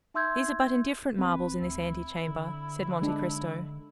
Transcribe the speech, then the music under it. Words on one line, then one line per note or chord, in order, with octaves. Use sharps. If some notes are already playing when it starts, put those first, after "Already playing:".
"These are but indifferent marbles in this ante-chamber," said Monte Cristo.
D#4 E5 C6 E6 G6 G#6
F#1 C4 B4
D2 E4
D3
G#3 D4